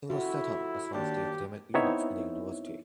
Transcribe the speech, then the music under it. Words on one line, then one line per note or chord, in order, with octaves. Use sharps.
It was set up as one of the academic units in the university.
F2 E4 F#4 E5
D#2 D4 G4
B3 C4 D#4 E4 C#5 E5